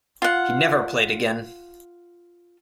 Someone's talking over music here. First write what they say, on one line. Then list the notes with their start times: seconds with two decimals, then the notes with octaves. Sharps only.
He never played again.
0.22 F4 F#5